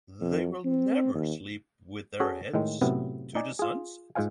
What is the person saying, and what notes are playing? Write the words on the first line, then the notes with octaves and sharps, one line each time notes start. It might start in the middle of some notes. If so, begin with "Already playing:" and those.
They will never sleep with their heads to the sunset.
F2
C4
D#2
C#4 F#4 G#4 A4 C#5
A2 D#3 G#3
F#2 A2 C3 B3
D#4 D5 G#5
F4 G#4
G#2 F4 C5 F5 G#5